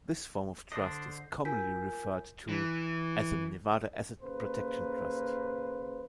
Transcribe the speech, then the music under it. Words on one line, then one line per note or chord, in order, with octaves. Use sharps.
This form of trust is commonly referred to as a "Nevada Asset Protection Trust".
D3 D4 C5 D#5
F4 A#4 G#5 G6 B6
E3
D#2 C#3 A#3 B4 C5